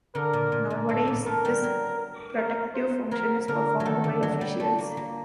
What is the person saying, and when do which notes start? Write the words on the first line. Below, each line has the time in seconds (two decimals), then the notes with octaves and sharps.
Nowadays, this "protective" function is performed by officials.
0.15 D3 A#4
0.33 A#2
0.52 A#2
0.70 A#2
0.89 A2 A4
1.08 A#2
1.26 A3 A#4
1.45 G3
1.63 F#3
2.37 A#4
2.74 C5
3.11 F#3 A#4
3.48 D3 A#4
3.80 F#3
3.85 D#3 A4
4.04 D3
4.23 F#3
4.41 G3
4.60 A3
4.78 A#3
4.97 A#3